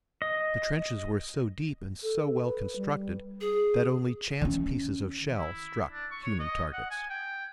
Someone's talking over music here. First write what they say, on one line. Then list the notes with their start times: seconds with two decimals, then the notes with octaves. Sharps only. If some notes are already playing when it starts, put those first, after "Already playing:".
The trenches were so deep and so well constructed that only chance pieces of shell struck human targets.
0.22 D#5
2.03 A4
2.44 B4
2.76 G3
3.41 G#4
4.42 D#3 C#4
5.37 E4
5.92 D4
6.11 C#6
6.24 C#5
6.39 D#5
6.73 F#5
6.90 G#5
7.10 G5